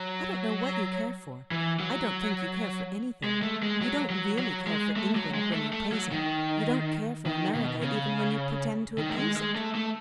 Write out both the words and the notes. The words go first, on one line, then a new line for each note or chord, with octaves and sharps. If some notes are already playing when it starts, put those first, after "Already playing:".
"I don't know what you care for; I don't think you care for anything. You don't really care for England when you praise it; you don't care for America even when you pretend to abuse it."
Already playing: F#3
E3
F#3
G#3
A3
G#3
F#3
F#3
F#3
G#3
A3
F#3
G#3
A3
A3
F#3
D#3
D#3
B2
C#3
D#3
A3
G#3
G#3
A3
A3